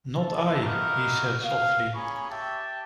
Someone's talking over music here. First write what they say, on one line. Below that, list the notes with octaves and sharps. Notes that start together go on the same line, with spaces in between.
"Not I," he said softly.
A4
A#3 D#4 E4 F#4 A#4
F5
A#3 C#4 G#4 B5 C#6
G4 E5 G5 A5